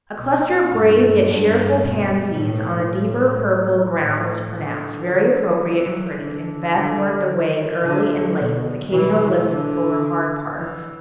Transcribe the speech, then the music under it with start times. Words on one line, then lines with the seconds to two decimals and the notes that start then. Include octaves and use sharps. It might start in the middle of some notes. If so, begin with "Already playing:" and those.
A cluster of grave yet cheerful pansies on a deeper purple ground was pronounced very appropriate and pretty, and Beth worked away early and late, with occasional lifts over hard parts.
0.17 B2
0.72 G2
1.27 G2
1.82 B2
2.36 A2
2.91 A2
4.00 A2
4.54 D3
5.09 D3
5.64 E3
6.19 D3
6.74 D3
7.83 D3
8.38 B2
8.92 E3
9.48 D3
10.56 E3